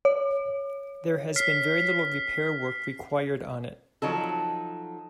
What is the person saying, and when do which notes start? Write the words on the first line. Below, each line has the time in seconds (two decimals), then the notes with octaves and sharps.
There has been very little repair work required on it.
0.05 C#5
1.36 F6 B6 C7
4.02 F3 F#3 D#4 A4